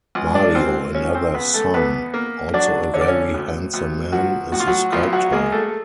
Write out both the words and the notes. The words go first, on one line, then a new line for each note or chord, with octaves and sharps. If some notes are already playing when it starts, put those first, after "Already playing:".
Mario, another son, also a very handsome man, is a sculptor.
C#2
D4 D5
C#2 C4 C5
F3 C#4 C#5
C4 C5
C#3 B3 B4
A3 A4
E2 B3 B4
A#3
F#3 D4 D5
D3 C#5
D5
C#4 C#5
D2
D2
F3 F#3 F#4
A2 F#4
F4
F#3 F#4
B1 F3 F4
F#3 F#4
G#3 A#3 G#4
A3 A4
A4